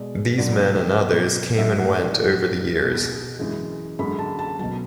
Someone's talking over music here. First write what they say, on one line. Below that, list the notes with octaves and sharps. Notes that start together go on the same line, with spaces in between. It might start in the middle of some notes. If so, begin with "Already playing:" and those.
These men and others came and went over the years.
Already playing: B2 G#3 D5
F#2 D3 F#3 D5
B2 F#3
G#2 F#3 E5
F#5
D5
A2 F#3
B2 G#3
F#2 E3 G#3
F#2 D3 G#3 B5
A5
A5
B2 F#3 A5